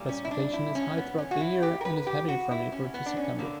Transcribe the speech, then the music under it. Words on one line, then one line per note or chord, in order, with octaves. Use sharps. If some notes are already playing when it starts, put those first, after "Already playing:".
Precipitation is high throughout the year, and is heavy from April to September.
Already playing: A#2 G3
C#4
E4
D4
E4
C#4
B3
C#4
F#4
E4
G4
A#4
B4
G4
F#4
E4
C#4
B3
D4
C#4
D3 A#3 B3